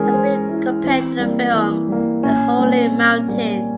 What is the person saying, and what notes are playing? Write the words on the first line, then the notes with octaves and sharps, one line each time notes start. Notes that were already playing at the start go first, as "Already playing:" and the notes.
It has been compared to the film "The Holy Mountain".
Already playing: E3 G#3 C#4 G#4 A#4
E3 C5
G#3 E4
E3 C4
G3 A#3
E3
G3 A#3
A#2 C#4
G3 A#3 C4
A#2
G3 A#3